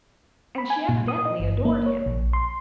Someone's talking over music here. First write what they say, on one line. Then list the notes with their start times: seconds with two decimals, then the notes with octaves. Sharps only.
And she evidently adored him.
0.58 B5
0.70 G#5
0.89 A#2
1.08 D#6
1.25 D#5
1.40 G1
1.65 A#3
1.86 C#5
2.06 A#1
2.33 C6